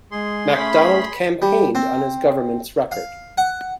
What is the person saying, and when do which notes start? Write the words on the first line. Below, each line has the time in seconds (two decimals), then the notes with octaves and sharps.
Macdonald campaigned on his government's record.
0.12 G#3 G#4 C6
0.56 A3 C#4 B5
1.42 G3
1.75 C4
2.91 F5
3.38 F#5